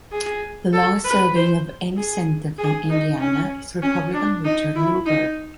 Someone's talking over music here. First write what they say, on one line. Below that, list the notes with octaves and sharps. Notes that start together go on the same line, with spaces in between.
The longest-serving of any Senator from Indiana is Republican Richard Lugar.
G#4
A4
B4
C5
G#4
G#4
D#4
C#4
C#4
D4
D#4
E4
D#4